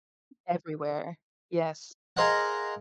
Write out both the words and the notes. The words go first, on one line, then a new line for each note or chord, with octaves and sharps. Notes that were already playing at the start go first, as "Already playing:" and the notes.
Everywhere. Yes.
G#4 A#4 C5 D#5 F5 F#5